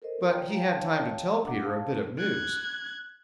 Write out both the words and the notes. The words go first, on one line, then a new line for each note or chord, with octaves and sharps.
But he had time to tell Peter a bit of news.
A4 A#4 C5 D#5
F4 C#5 D5 G5 A#5
C#5 F5 G5 A5 A#5
D4 F#5 D6
F5 A5
F#6 G#6